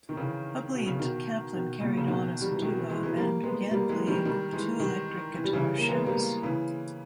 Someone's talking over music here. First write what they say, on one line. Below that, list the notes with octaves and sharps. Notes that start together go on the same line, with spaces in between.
Hubley and Kaplan carried on as a duo and began playing two-electric-guitar shows.
D#3
C#3 E3
B2
C#3
B2 D#3
B2 D#3
A#2 C#3
C#3
B2 D#3
G3
E3
B2 D#3
E3 G#3
E3 G#3
G3 A#3
G#3 B3
G3 A#3
E3 G#3
D#3 G3
D#3 G3
E3 G#3
D#3 G3
E3
G3
C#3 E3
A#3
G#3 B3
G3 A#3
C#3 E3